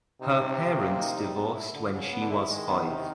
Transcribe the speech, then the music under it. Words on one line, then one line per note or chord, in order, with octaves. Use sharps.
Her parents divorced when she was five.
C3 D#4
G3
G3
A#3
D#4
G3
B3
E4
D3
C#3 F#3
B3
D3
E4
D#3 G#3
B3
C3